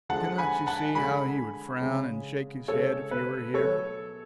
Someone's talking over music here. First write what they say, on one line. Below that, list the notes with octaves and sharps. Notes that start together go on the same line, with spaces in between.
Cannot you see how he would frown and shake his head if you were here?
D3 F3 G#3 F#5 A5
G#5 B5
F#5 A5
D3 G#3 G#5 B5
C#3 G#3
C#3 G#3 A4 C#5
B4
B2 F#3 A3 A4 C#5